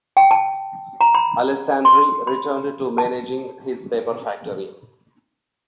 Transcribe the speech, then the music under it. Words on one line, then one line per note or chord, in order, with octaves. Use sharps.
Alessandri returned to managing his paper factory.
G5
A5
A#5
B5
C6
B5
A5